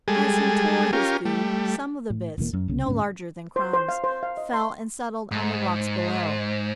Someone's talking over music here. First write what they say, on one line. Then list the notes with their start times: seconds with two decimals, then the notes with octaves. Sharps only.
As he tore his food, some of the bits, no larger than crumbs, fell and settled on the rocks below.
0.08 G3 G#3 G#4 A4
0.93 C#4 F4 G4 A#4
1.25 G3 A3
2.10 A2
2.38 E1 B2 E3 A#3
2.53 F#2
2.68 C2 C#3
2.86 D2 G#2 C#4
3.56 C5
3.73 C5
3.89 F5
4.04 C5
4.23 F5
4.37 D#5
4.54 C6
5.31 G#2